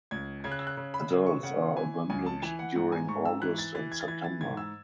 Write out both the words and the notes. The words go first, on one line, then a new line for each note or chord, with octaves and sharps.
Adults are abundant during August and September.
C#2 G#6
C#3 G#6
F#6
E6
F#6
C#3
B5
C#3
C#6
C#3 F#5
E3 G#5
C#2 G#5
A5
E3 G#5
F#5
G#2 F#5
G#5
G#2 C#6
E6
E3 F#6
A6
E3 A6
G#6
A6
E3 G#6
A6
G#2 G#6
E6